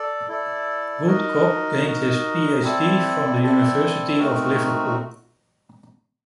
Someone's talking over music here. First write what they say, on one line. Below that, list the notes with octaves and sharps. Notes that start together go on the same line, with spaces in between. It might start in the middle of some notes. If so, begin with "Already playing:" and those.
Woodcock gained his PhD from the University of Liverpool.
Already playing: A4 D5
E4 A4 D5
D#4 F#4 A#4 D#5
D#4 F#4 A#4 D#5
C4 E4 A4 D5
C4 E4 A4 D5
A3 C4 D#4 F#4 A#4